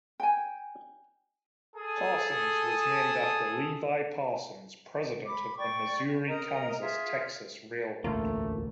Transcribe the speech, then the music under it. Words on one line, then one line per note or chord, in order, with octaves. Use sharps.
Parsons was named after Levi Parsons, president of the Missouri-Kansas-Texas Railroad.
G5 G#5
G#4 A4 A5 D#6
B5 D6
D5 G5 C#6
A#4 D#5 A#5
F4 G#4 E5
E1 A1 D2 A3 A#3 F4